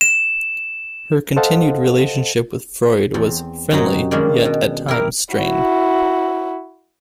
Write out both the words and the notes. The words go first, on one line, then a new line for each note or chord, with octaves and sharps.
Her continued relationship with Freud was friendly, yet at times strained.
E7
A4 C5 D#5 F5 F#5 A5
E2 C4
F#2 C3 F#3 D#4
D#3 G3 G#3 A#3 C#4 D4
B2
E4 G4 A#4 A#5
E4 F#4